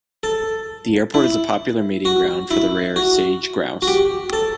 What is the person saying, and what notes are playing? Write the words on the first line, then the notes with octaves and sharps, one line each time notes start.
The airport is a popular mating ground for the rare Sage Grouse.
A4
E4
F#4
E4
F#4
F#4
G4
A4